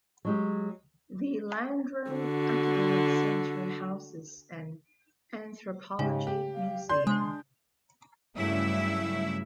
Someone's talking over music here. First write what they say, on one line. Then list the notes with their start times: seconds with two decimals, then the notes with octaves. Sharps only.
The Landrum Academic Center houses an Anthropology Museum.
0.25 F#3 G#3 G4
2.11 D3 F#4
5.99 G#2 C#3 G4
6.27 G4
6.54 F5
6.89 D5 C6 G6
7.07 G#3 D4
8.36 G2 C#3 F#3 A3 E4 E5